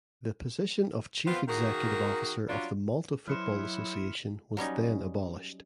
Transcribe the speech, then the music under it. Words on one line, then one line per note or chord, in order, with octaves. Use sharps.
The position of chief executive officer of the Malta Football Association was then abolished.
B3 C4 F4
D#3 A#3 F#4 G#4 A#4
F#3 G3 C#4 D4 F4
F#3 E4 B4 D#5 C6 F6 C#7 E7
F#3 G3 C#4 D#4